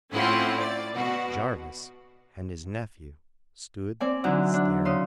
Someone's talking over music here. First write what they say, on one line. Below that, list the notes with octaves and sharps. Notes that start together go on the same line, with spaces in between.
Jarvis and his nephew stood staring.
A2 C4 C#4 E4 F4 F#5
D5
B2 F#4
C4 D5 G#5
D3 E3 F#3 D#4 E4
D4
C#3 C6 D#6